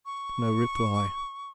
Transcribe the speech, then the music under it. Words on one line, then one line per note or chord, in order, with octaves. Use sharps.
No reply.
C#6